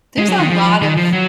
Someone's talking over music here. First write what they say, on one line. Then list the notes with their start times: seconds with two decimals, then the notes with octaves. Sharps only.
There's a lot of
0.18 G#3
0.28 F#3
0.39 D#3
0.50 F3
0.82 D#3
0.97 F3
1.13 F#3